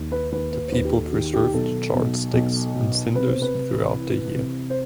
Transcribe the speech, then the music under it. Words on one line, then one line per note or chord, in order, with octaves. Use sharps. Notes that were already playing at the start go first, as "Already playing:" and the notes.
The people preserve the charred sticks and cinders throughout the year.
Already playing: D#2
B4
D#2 B4
B4
C5
D#2 B4
G4
A4
F#4
D#3 G4
G4
B1 A4
B1
B1
B2
C3 B4
C5
B4
C3
E3
C3
C5